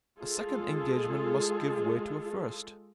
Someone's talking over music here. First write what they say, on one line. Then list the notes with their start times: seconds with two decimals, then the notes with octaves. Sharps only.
A second engagement must give way to a first.
0.19 G#3 F4 G#4 A4